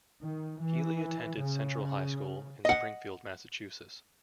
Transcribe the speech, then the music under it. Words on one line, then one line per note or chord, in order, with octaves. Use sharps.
Healey attended Central High School in Springfield, Massachusetts.
D#3
E3
C#3
D#5 F#5